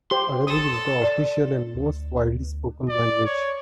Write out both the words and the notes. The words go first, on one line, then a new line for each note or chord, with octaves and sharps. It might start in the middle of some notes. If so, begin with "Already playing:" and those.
Arabic is the official, and most widely spoken, language.
G4 C5 C6
A4 D#6
D5
D2
D5
C#5